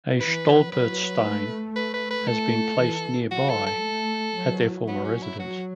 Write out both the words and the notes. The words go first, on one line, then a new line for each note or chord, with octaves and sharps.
A "stolperstein" has been placed nearby at their former residence.
E3 B4
F#3 B4
A3
B4
B4
B4
A3 A4
E3
F#3 F#4
A4
A4
A3
F#3
F#3 B3
C#4
E4
F#3 F#4